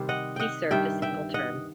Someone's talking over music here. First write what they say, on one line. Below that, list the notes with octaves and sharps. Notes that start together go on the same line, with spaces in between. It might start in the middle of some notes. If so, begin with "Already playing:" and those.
He served a single term.
Already playing: C3 D#3 G3 C5
D#5 F#5
D#5 F#5 G5
G2 D#3 G3 E5 G5
E5 G5
D#5 F#5